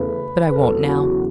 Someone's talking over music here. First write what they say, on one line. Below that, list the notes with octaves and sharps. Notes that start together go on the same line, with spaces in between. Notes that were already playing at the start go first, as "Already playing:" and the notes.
But I won't now.
Already playing: E2 C#3 A3 B4
E2 C#3 F#3 A4
F#4